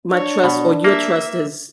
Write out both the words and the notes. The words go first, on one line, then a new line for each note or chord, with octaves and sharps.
my trust or your trust is
D4 C#5
B2
A#3 E5